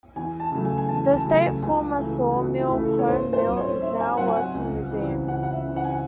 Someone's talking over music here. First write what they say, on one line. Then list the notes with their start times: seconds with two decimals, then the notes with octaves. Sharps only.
The estate's former sawmill, Combe Mill, is now a working museum.
0.16 E2 G#5
0.40 A5
0.52 C#3 F#3 A3
0.65 G#5
0.78 G#5
0.89 E2 A5
1.13 A5
1.25 C#3 F#3 A3
1.37 G#5
1.62 C#2 G#5
1.98 C#3 E3 A3
2.35 C#2 F#4
2.59 E4
2.72 C#3 E3 A3
2.84 A4
2.99 C#5
3.08 G#2 C5
3.33 C5
3.45 F#3 C4
3.57 C#5
3.81 G#2 E5
4.00 G#5
4.17 F#3 C4 F#5
4.28 G#5
4.36 F#5
4.54 C#2
4.91 C#3 E3 C4
5.27 C#2 F#5
5.43 F#5
5.53 E5
5.65 C#3 E3 C4
5.76 F#5
5.84 G#5
5.91 F#5